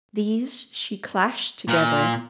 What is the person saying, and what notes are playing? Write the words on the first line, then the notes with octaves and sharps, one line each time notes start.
These she clashed together.
A#2